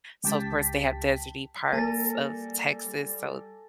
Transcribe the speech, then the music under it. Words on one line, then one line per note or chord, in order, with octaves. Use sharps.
So, of course, they have desert-y parts of Texas, so
C#2 G4 G5 A5 B6
G3 A#3 A4 G#5 A6 A#6